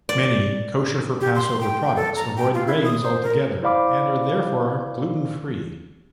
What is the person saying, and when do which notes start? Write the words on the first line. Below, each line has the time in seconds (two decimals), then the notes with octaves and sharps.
Many kosher-for-Passover products avoid grains altogether and are therefore gluten-free.
0.09 D5
1.21 G4
1.35 C6
1.61 G5
1.96 A4
2.16 A#5
2.37 G5
2.54 F4
2.67 E4
2.84 D#6
3.03 C5
3.23 A#4
3.63 E4 C5 D5 F5 B5 D6